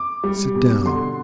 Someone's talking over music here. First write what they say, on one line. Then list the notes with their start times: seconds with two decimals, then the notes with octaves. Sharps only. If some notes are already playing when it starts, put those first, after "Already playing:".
Sit down.
Already playing: D6
0.24 G3
0.55 B2
0.85 D3 C6